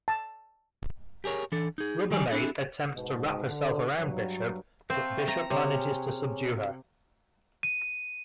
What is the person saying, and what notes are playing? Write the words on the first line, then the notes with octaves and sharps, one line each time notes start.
Rubbermaid attempts to wrap herself around Bishop, but Bishop manages to subdue her.
A5
G4 G#4 A#4 C#5
E3 D4 A4
D#4 G#4
D#3 F#3 G3 G4 D5 G#5
C4 D4 E4 G#4 A4
G#2 B2
D3
G2 F#3
A3 C4 F4
A#5
C3 C#4 G#4
D#7